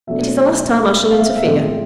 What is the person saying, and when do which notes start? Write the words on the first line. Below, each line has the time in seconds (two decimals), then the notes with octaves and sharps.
It is the last time I shall interfere.
0.07 B2 F#3 A3 D4 E5
1.11 F5
1.19 E5
1.28 F5
1.37 E5
1.46 A2 F3 G#3 C4 D#5